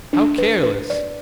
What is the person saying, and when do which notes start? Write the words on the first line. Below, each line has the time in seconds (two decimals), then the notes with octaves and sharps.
How careless!
0.13 D4
0.38 B4
0.63 B4
0.90 D5